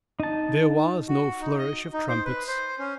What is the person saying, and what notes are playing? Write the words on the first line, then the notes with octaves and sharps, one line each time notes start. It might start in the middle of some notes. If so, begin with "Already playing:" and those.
There was no flourish of trumpets.
D#4 A5
F#4
D#4
D#5
D#4
C5
B4
C5
C#4